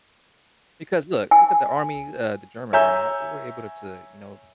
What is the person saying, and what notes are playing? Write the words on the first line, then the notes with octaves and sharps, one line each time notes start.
Because look, look at the army, uh, the German army a they were able to, you know,
G#5
C#5 E5 G#5 A#5 E6 G6